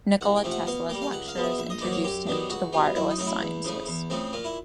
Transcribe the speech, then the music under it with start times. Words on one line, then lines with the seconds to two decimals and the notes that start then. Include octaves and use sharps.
Nikola Tesla's lectures introduced him to the wireless sciences.
0.21 C2 F#5
0.36 G5
0.44 C3 F3 A3 C#4
0.51 F#5
0.66 B2 F5
0.89 G3 A#3 G5
1.02 F5
1.12 C#2 F#5
1.28 F5
1.36 B2 G#3 B3
1.44 E5
1.58 A#1 E5
1.70 D#5
1.81 G#2 D#3 F#3 A#3 D5
1.92 C#5
2.04 F#2 G4
2.27 D#3 F#3 B3 D4
2.50 C#2 F#4
2.73 B2 G3 F4
2.96 F#2 E4
3.11 D#4
3.18 C#3 F#3 A3
3.26 E4
3.41 E2
3.65 C#3 F3 A3
3.87 E2
4.10 C#3 F3 A3 C4
4.33 A#2 F4
4.44 E4